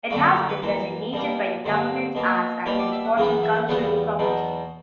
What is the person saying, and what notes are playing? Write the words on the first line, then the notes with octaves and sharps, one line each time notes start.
It has been designated by the government as an Important Cultural Property.
F#2 D3 G3 A#3 F#4
G4
A#4
B4
F#2 E3 A#3
B2 G3 A#3
G2 D3 F#3 A#3
B2 F#3 A#3
B2 G3 A#3 C#5
D5
E5
F#5
F#2 C#3 E3 B3 G5
F#5
E5
F#5
E2 C#3 G3 B3 F#5
E2 B2 F#3